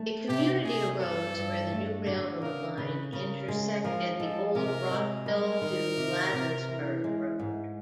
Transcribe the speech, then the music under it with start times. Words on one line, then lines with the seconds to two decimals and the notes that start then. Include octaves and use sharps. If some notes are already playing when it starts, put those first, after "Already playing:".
A community arose where the new railroad line intersected the old Rockville-to-Bladensburg road.
Already playing: A3
0.28 C3 G4
0.64 C3 G#4
1.00 G2 A4
1.35 G2
1.71 A3
2.07 D3
2.42 C#3 A#4
2.77 C#3 B4
3.13 C#3 A#4
3.48 G#3
3.84 F3 A#4
4.19 G#3 A4
4.55 C3 A#4
4.91 G#3
5.26 G3 A#4
5.62 D#3
5.97 C3
6.33 C3
6.68 E3
7.04 G#3
7.39 G#2